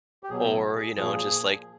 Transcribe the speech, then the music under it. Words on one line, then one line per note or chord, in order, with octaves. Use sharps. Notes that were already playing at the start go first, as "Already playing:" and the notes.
or, you know, just, like,
G4
B2 F#3 G#4
A4
G#4
A#2 F3 G#4